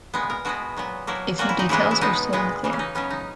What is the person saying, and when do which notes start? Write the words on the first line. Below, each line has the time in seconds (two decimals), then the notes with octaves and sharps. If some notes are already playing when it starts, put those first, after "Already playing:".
A few details are still unclear.
0.14 A#2 G#3 B3
0.30 A#4
0.45 B2 G#3 B3 F#4
0.76 A#2 F#3 B3
1.07 B2 F#3 A#3 E4
1.39 A#2 F#3 A#3 F#4
1.49 E4
1.59 D#4
1.69 C#3 E3 G#3 B3 E4
1.91 E4
2.01 B2 G#3 B3 D#4
2.33 A#2 G#3 B3
2.64 C#3 E3 A#3
2.73 C#4
2.79 D#4
2.95 C#3 F#3 B3 C#4
3.10 D#4